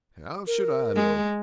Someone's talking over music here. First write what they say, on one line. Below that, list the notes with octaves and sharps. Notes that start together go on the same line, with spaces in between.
'How should I know?
A#4
G#3